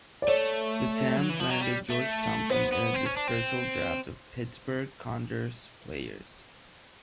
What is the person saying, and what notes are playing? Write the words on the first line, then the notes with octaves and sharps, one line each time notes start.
The Tams landed George Thompson in a dispersal draft of Pittsburgh Condors players.
D5
A3 C#5
F#3
E3
F3
F#3
G3
A3
B3 C5
B3
C4
C#4
D4
C4